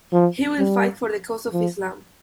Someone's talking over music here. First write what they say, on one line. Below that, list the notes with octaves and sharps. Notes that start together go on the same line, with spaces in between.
He will fight for the cause of Islam.
F3
G3
F3